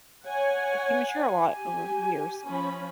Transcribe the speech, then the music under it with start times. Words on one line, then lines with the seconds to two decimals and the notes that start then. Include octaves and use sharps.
Like, you mature a lot over years.
0.25 C#5 F#5 G#5
1.43 G4 G#5
2.47 F3 C#4 B5